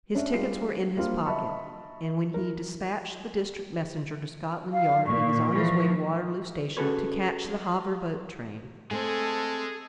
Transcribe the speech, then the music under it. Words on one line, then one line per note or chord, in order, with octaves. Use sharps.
His tickets were in his pocket, and when he despatched the district messenger to Scotland Yard he was on his way to Waterloo station to catch the Havre boat train.
C#4 D4 E5
G3 G#3 F4 C7
G3 A#3 D4 F4 C5
D#5 E5 A5 B5 C#6
E4 A#4
F5
A#2 C#6
E3 F3
C#4 F#4 G#4 A4 B4 C#5
G#3 A3 C4 G#4 A4 C5